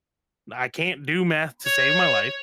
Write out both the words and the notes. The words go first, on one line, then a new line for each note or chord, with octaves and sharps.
I can't do math to save my life,
C#5